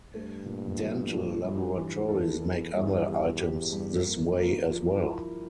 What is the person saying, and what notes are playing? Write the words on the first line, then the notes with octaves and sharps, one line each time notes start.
Dental laboratories make other items this way as well.
G2 A3
A#2
F3
F3
G2 G3
E3
E2 A4
A4
E2 G2
E2 G4
G4
G2
F2 A#3
A#3
F3
E4